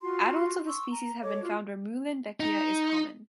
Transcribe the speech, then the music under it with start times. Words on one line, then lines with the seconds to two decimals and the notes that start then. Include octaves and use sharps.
Adults of the species have been found where "Muehlenbeckia" is common.
0.02 F4 F#4 C6
0.67 C6 C#6 E6
0.91 A#5
1.23 A4 C#5 D#5 D6
1.42 F4 F#4
2.40 D#4